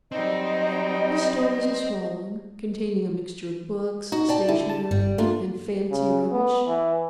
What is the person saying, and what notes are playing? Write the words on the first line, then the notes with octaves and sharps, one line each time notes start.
His store was a small one, containing a mixture of books, stationery, and fancy rubbish.
F#3 G3 C4 D#4 D#5
D#4 F#4
D5 G5 A5
D3 E4
A5
G1 G3
A3 A#3 D4 F4
C#3
B3
E3